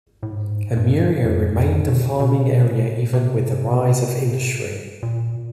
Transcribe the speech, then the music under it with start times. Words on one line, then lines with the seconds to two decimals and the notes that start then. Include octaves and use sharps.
Amurrio remained a farming area even with the rise of industry.
0.23 A2
0.30 G#2
0.77 G2
1.25 F2
1.57 F2
1.88 B2
2.20 B2
3.13 C3
5.03 A#2